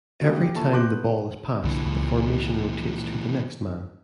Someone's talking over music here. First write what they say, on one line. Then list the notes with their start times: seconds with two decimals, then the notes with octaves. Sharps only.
Every time the ball is passed the formation rotates to the next man.
0.21 C#3 G3 G#3 A#3 F#4
0.43 G4
0.55 F3 A#3 E4 A4 A5 C#6
0.73 C6 D6 F#6 G6 A#6
0.88 B3
1.64 C2 A#2 D3 E3
1.85 C#2